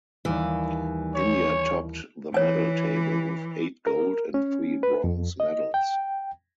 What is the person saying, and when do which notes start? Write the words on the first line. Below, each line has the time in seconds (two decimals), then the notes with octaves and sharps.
India topped the medal table with eight gold and three bronze medals.
0.25 D#2 E3 G3 A#3
1.14 C#5
2.34 E3 C#5 G#5
3.87 A#4
4.34 C#4
4.83 B4
5.04 F2
5.40 D#5
5.74 G5